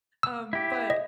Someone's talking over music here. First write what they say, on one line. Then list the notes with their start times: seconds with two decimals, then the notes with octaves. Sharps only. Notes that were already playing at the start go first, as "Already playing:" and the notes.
um, but,
0.23 E6
0.53 E4 G4
0.90 D#5